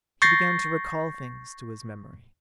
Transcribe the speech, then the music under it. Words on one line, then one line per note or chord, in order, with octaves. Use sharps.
He began to recall things to his memory.
C#6 G6 A6 A#6 C7